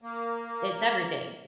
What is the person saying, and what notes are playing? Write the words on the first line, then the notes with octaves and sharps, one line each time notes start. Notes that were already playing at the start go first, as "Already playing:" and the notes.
It's everything,
A#3